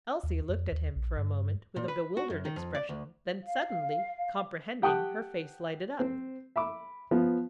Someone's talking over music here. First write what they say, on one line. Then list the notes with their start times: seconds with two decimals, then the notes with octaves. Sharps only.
Elsie looked at him for a moment with a bewildered expression; then suddenly comprehending, her face lighted up.
0.23 D#2
0.49 F2
0.72 D#2
0.96 A#1
1.17 G2
1.76 A#2
1.88 B4
2.17 F#4
2.30 F#2
2.45 D#3
2.56 F2
2.75 D5
2.89 D2
3.43 F5
4.82 G4 F#5 G5 A5 D#6 F#6
5.99 C4 C5
6.56 E5 B5 D6
7.11 F3 B3